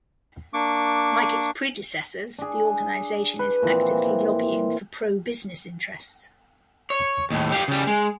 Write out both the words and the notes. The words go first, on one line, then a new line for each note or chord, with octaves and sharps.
Like its predecessors, the organisation is actively lobbying for pro-business interests.
A#3 D4 C#6 D6
D4 G#4
B4
A#2 E3 F3 C4
C#5
D#2 A2
G4 F5
C#3 G3
G#3